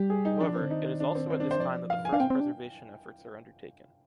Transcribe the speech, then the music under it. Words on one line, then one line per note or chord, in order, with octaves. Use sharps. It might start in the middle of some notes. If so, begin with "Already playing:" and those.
However, it is also at this time that the first preservation efforts are undertaken.
Already playing: G3 G4
G#4
D#4
F3 D4
C4
D3
D#3 D#4
D4
C4
C4
D4
C5
F3 D5
F5
G#5
D4 F5
C4 G5
C4
D4